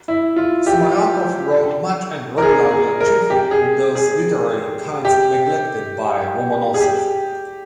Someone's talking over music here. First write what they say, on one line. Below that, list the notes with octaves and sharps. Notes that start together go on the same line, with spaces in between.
Sumarokov wrote much and regularly, chiefly in those literary kinds neglected by Lomonosov.
E4
F4
G4
A#4
G#4
G#4
A#4
G4
G#4
G#4
G4
G#4
G4